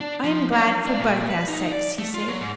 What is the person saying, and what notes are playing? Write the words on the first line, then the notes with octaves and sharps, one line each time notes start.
"I am glad for both our sakes," he said.
D4
F3
F#3
D4
A#2
B4
D#4
D5
A3
F4
F#3
G#2